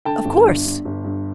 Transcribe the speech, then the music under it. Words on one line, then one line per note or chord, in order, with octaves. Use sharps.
"Of course."
D3 G5 A5
G1
G2
G2
G1
G2